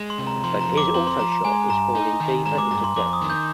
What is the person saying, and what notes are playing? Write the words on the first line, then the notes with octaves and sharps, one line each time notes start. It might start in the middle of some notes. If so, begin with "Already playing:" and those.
But his auto shop is falling deeper into debt.
Already playing: G#3
C6
C3
A#5
F3 C6
A#5
F2
D6
C4 C6
C6
F3 A#5
A#5
G#3 G#5
G2 A#5
D#4
D#3
G#3 A#5
D6
G2 A#5
C6
F2 D6
D#6
D#3
G6